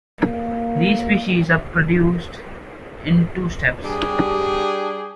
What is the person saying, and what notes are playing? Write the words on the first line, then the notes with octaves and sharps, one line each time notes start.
These species are produced in two steps.
A#3
G3 D4 G4 G#4